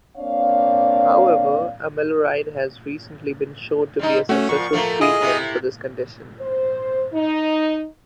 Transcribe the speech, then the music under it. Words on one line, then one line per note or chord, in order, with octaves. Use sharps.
However, amiloride has recently been shown to be a successful treatment for this condition.
A#3 C4 D4 C#5 D5 F5
G3 G#3 D#4
A3 C#4 F#4
A#2 F3 C#6
F3 A3 A#3
E4 F4 G#4 D#5 D#6
C3 E4 G4
C5
D#4